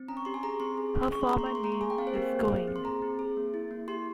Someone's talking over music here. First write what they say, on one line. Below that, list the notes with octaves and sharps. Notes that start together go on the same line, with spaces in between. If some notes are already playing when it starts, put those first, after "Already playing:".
Her former name is Going.
Already playing: C4
C#4 A#5
C#6
G4 C6
G#5
G#4 A#5
C4 C6
G#4
C#4
G#4 C#6
C6
A#3 A#5
C6
G#4 C#6
C6
A#3 A#5
C6
G#4 G#5
G5
C4 F5
C5
G4 A#4
C5
A#3
G#4
C4
C6
G#4 A#5
C4
G#4
A#3
E4
A#3
G4 C6